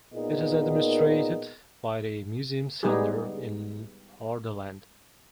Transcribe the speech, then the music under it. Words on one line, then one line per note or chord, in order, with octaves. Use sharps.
It is administrated by the Museum Centre in Hordaland.
A#2 B3 D#4 G#4 A#4 D#5
G3 G#3 B3 D#4 G4 G#4